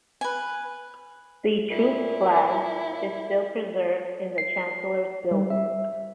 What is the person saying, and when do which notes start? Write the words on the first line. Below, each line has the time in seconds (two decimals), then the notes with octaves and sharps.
The troop's flag is still preserved in the Chancellor's building.
0.21 B4 G#5
1.70 A#2 E4
4.38 C7
5.31 G3
5.50 E5